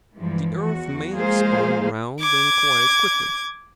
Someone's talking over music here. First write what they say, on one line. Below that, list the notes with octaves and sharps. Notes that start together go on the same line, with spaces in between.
The earth may have spun round then quite quickly.
G2 E3 F3 G#3
E2 F#4
F3 G#3 A#3 G#4 C5 F5
D6 G#6